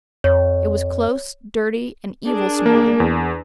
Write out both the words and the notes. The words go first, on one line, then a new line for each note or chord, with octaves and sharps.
It was close, dirty, and evil smelling.
F2 C#5
D4 G#4 A#4
A#3
E2